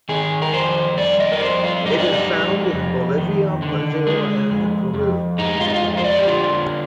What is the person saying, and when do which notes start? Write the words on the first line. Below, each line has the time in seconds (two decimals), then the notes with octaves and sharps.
It is found in Bolivia, Brazil and Peru.
0.09 D#3 G#4
0.42 A#4
0.53 F2 C5
0.97 G3 D5
1.20 D#5
1.32 A#4
1.41 F2 C5
1.64 F4
1.86 G3 D#4
1.99 D4
2.12 D#4
2.29 F2
2.73 F2
3.18 D#3
3.62 D3
4.07 G#3
4.50 F2
4.94 F2
5.38 G#3 D#4
5.61 F4
5.68 D#4
5.74 F4
5.83 F2
5.97 C5
6.04 D5
6.19 G4
6.27 D3 F4